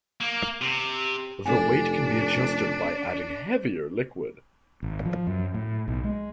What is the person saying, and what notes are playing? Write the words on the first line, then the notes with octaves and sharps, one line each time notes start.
The weight can be adjusted by adding heavier liquid.
A#3
C3
F1 D4 A4 G#5
G#1
F3
F#2
A2
B1
G#3